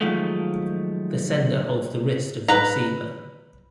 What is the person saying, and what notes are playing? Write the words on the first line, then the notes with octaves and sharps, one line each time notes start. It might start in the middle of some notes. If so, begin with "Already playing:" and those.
The sender holds the wrist of the receiver.
D#3 F3 F#3 G#3 A3
B4 A#5